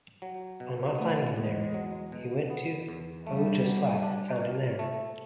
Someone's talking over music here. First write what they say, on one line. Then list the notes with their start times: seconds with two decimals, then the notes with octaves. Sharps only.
On not finding him there, he went to Ahuja's flat and found him there.
0.22 F#3
0.60 B2
0.98 A3 B3
1.36 E2 G#3
1.74 F#3
2.12 B2
2.50 B3
2.89 E2
3.27 G3 A3
3.65 F#3
4.03 D4
4.41 A#2
4.79 A3